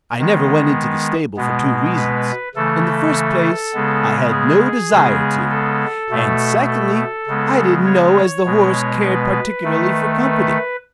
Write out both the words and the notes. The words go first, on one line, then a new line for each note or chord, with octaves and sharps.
I never went into the stable, for two reasons: in the first place, I had no desire to; and, secondly, I didn't know as the horse cared particularly for company.
D#3 G#3 B3
B2 G#3 B3
B4
C#3 E3 A3 A4
C#3 G#3 B3
G#4
C#3 G#3 B3
A4
B2 A3
A4
C#3 G#3 B3
C#5
B2 G#3 B3
B4
D#3 A3
B4